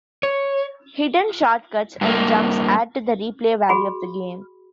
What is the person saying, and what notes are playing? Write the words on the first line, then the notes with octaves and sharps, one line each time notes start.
Hidden shortcuts and jumps add to the replay value of the game.
C#5
G2 A#3
F#4 G#4 B5